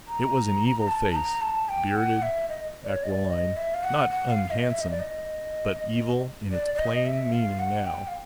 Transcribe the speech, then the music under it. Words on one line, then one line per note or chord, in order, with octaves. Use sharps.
It was an evil face, bearded, aquiline, not unhandsome; but evil in its plain meaning now.
A#5
A#5
A5
A5
A#5
A5
G5
F#5
E5
D#5
D5
C#5
D#5
D5
D#5
E5
F5
F#5
F#5
F5
D#5
E5
D#5
D5
D#5
D5
D5
D#5
E5
F5
F#5
G5
F5